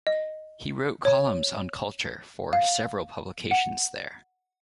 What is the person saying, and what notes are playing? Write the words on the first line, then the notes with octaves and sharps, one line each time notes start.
He wrote columns on culture for several publications there.
D#5
C#5
F5
F#5